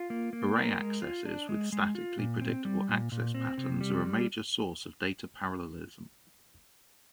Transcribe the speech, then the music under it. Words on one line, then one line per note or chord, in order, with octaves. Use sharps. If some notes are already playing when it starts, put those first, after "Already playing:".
Array accesses with statically predictable access patterns are a major source of data parallelism.
Already playing: F4
A#3
A#3
A#4
G#3
F4
D4
G#3
G#3
F4
A#2
C4
G3
A#2
A#2
C4
C3
G3